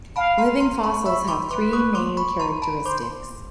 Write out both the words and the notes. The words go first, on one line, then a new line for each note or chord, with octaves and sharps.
Living fossils have three main characteristics.
F5 A5 B5
A#5 C6
A#5 C6
B5 C#6
E5 B5 C#6
C6 D6
B4 C6 D6
C#6 D#6
C6 D6
B5 C#6
A#5 C6
A5 B5
C5 C6 D6